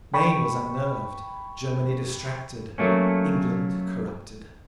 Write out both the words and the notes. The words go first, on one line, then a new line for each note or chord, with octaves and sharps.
Spain was unnerved, Germany distracted, England corrupted.
G5 B5 C#6
F#3 A3 A#3 C#4